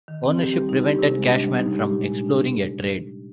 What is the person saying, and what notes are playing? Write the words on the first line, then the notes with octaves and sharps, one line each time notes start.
Ownership prevented Cashman from exploring a trade.
D#3
C4
G4
G3
D#4
G4
C3
G#3
D4
G3
D#4
G4
A#2
G#3
D4